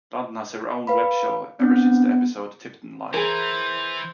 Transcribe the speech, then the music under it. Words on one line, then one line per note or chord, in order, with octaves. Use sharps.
London has her own web-show, ever since the episode Tiptonline.
B4 F5 B5
B3 C4 D4
E3 G#4 A#4 C5